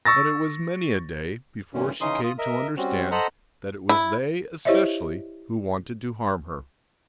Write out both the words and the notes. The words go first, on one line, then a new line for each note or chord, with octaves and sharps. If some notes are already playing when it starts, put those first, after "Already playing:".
But it was many a day before she came to understand that it was they especially who wanted to harm her.
C#6 E6 A6 A#6
G2 A#2 D3 E3 C#4
C#3 E3 C#4 D#4 C6 D#6
F4 D#6
A#4 D#5 E5
G3 C4 C#4 F#4
A4 C5 D#5 F#5 A#5 B5
E4
E4 G4 C5 C#5 D#5 E5